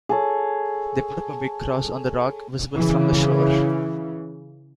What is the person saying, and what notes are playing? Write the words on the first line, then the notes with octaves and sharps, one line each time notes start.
They put up a big Cross on the Rock, visible from the shore.
G#4 A4 C#5
C#3 E3